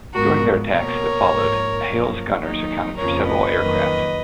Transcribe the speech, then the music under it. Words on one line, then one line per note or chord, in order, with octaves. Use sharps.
During the air attacks that followed, "Hale"'s gunners accounted for several aircraft.
G#2 F3 G#3 B3 F#4 A#4
B2 A#3 A#4 C#5
G#2 F3 A#3
F#2 F3 A#3
D#2 D#3 F#3 D#4
F2 C#3 F3 A#3 A#4 C#5
B4 D#5
F2 D#3 F#3 A#3